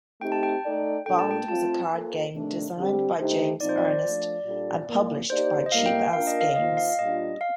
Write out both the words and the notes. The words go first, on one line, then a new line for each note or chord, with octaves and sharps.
Bond was a card game designed by James Ernest and published by Cheapass Games.
A3 C4 D#4 G4 G5
A5
G5
A3 D#4 A4 D5
A#2 G3 D4 A4 G5
A5
G5
A3 C4 F4 A5
A#3 F4 A4 C5
C3 D#3 A3 D4
D3 G3 C4 G4
D3 A3 D#4 G4 C5
A#2 F3 C4 D#4 D5
C5
D5
F3 A3 D4
A#2 G3 D4 F4 A4
A2 F3 A#3
A#3 D#4 G4 C5 D5
D#5
A2 G3 A#3 F5
G5
G5
A#3 D4 F4 A#4 F5
D#5
F5
D#3 A#3 F4 C5 D#5
F5
A#2 G3 D4 F4 D#5
F5